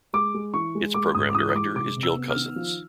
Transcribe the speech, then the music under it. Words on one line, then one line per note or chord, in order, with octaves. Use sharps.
Its programme director is Jill Cousins.
G#3 D6
G#3
E3 C#6
G#3
G#3 D6
G#2 D#6
D6
E3 D#6
D#6
G#3 D6
C3 D6
C3
E6
B3
F6
D#3
F3